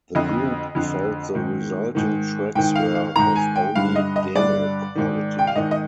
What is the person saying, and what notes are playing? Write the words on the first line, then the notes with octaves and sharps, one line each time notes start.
The group felt the resulting tracks were of only demo quality.
F2 D3 D#5
F2 D3
G#2 D#3
G#2 D#3
G#2 D#3 G5
F5
F5
G#2 D#3 A#5
G#5
G5
G2 D3 F5
D#5
D#5
G2 D3 D5
G#2 D#3
G5
F5
G#2 D#3 D#5
D#5